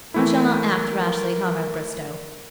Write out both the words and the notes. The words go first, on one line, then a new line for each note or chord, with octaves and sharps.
I shall not act rashly, Comrade Bristow.
E3 A3 E4 A#4